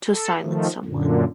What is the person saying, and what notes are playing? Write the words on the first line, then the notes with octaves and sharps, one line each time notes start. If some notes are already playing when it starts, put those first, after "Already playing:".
To silence someone.
A4
D#3 F3 A3
F#2 A#2 D3